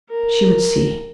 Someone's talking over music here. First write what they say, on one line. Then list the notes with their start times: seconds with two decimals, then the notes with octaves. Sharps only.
She would see.
0.10 A#4